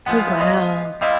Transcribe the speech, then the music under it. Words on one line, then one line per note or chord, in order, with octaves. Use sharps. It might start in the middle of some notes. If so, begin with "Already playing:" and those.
Oh, wow.
F3 G#3 B3 F#5
F5
E5
D#5 F5
G3 C4 E4 D#5 F5